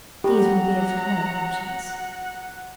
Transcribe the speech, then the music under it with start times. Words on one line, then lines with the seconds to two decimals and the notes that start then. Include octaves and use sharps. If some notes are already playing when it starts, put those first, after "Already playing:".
These will be of no importance.
0.24 F#3 G4 F#5 A#5